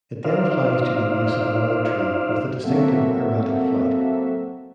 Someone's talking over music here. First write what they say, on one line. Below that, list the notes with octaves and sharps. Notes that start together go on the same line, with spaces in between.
It then flies to the base of another tree with a distinctive erratic flight.
D#4 F4 C5 D5 E5 F5
F#3 A#3 C4 F#4 A4 E5